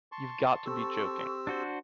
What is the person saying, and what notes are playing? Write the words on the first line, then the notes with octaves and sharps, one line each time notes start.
You’ve got to be joking.
A5 C6 C#6
C4 G4 A4 C#6 E6
D4 F#4 C5